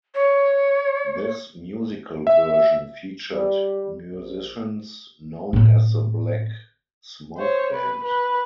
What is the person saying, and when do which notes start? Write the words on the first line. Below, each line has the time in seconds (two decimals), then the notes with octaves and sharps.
This musical version featured musicians known as the Black Smoke Band.
0.15 C#5
2.27 E5
3.32 G3
4.12 A#1
5.53 A2 C4
7.38 C5 C#5
7.72 B4
8.04 B4